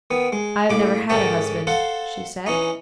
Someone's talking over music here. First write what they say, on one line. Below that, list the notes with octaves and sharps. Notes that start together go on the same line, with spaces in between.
"I have never had a husband," she said.
D#3 B3
G#3
A2 C#3 B5 D6
G#2 D3 D#3 C#4 E5 A5
A4 C5 F5 F#5
E3 C#4 D#4